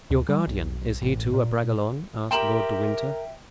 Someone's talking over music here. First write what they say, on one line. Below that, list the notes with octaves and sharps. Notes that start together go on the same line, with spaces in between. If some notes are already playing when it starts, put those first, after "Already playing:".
"Your guardian! is he, too, a Bragelonne?" asked Lord de Winter.
D2
G3
B1
A1
A#2
G4 A#4 E5 G5 A#5 C6 E7 F#7